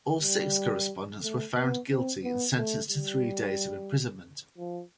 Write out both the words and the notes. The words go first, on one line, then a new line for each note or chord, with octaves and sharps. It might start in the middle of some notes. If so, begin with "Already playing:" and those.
All six correspondents were found guilty and sentenced to three days of imprisonment.
G3
A3
B3
C4
B3
A3
G3
F3